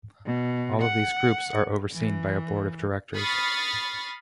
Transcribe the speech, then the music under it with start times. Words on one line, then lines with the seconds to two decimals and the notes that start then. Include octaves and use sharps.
All of these groups are overseen by a board of directors.
0.25 B2
0.82 F#5
1.93 E3
3.16 B5 C#6 D#6 F6 A6 C7